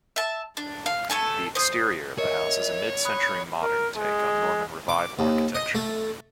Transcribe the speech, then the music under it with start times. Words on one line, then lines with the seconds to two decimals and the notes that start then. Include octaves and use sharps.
The exterior of the house is a mid-century modern take on Norman revival architecture.
0.16 E5 A5
0.57 D4
0.86 F5
1.10 A3 A#3 A4 G#5
1.55 C5 D#6
2.18 A#4 C#5 D#5 E5
3.05 B5 D#6 F#6
3.63 A#4
3.97 G#3
4.89 D6
5.19 D#2
5.55 D#5
5.75 A3